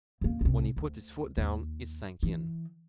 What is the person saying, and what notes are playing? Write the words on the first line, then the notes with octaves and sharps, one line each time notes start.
When he put his foot down it sank in.
E2 A#3
C2 C3
D2
D#2
E3